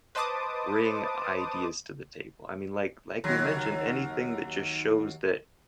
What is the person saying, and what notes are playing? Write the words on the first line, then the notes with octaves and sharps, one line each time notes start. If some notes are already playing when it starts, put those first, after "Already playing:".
bring ideas to the table, I mean, like like we mentioned, anything that just shows that
B4 C5 D#5 A5 D6 D#6
D#2 F#3